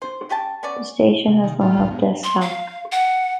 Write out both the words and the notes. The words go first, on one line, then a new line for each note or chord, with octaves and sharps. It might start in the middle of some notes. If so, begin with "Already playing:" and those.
The station has no help desk staff.
C5
C#4 G4 G5 A5
B3 C#4 C#5 D5
C3 A#3
D#3
A2 F4
G#1 C#2
G#2 B3
C6
F5
F#5